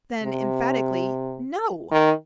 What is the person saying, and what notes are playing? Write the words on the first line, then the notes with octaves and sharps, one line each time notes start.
Then, emphatically, "No!"
C3
D#3